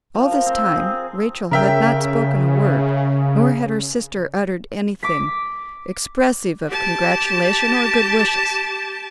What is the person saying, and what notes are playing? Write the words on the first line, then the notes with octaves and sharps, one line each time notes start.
All this time Rachel had not spoken a word, nor had her sister uttered anything expressive of congratulation or good wishes.
F3
A#4
C4
G#4
C#3 A#4 E5 G5
D6 B6
G4 A5